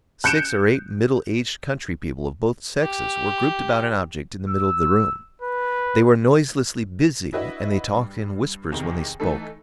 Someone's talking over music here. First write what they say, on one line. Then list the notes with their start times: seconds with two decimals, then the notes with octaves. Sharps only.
Six or eight middle-aged country people of both sexes were grouped about an object in the middle of the room; they were noiselessly busy and they talked in whispers when they spoke.
0.24 F#6 G6 C#7 D7 E7
2.82 G4
4.49 E6
5.42 B4
7.32 D4 E4 F#4 B4 D#5 E5
7.93 G2
8.72 E2 C3 D#3
9.20 E3 A3 D#4 A4